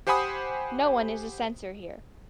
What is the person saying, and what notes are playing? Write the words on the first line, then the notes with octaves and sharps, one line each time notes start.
No one is a censor here.
G4 C5 F#5 G#5 B5 D#6